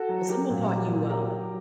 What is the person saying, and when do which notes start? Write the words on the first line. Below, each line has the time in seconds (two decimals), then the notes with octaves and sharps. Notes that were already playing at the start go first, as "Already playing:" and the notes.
Well, someone taught you well.
Already playing: F#4 A4
0.09 F#3
0.29 F#3 G4 A#4
0.50 A#2
0.69 F#3
0.89 A#2
1.09 F#3 G4 A#4
1.30 F#3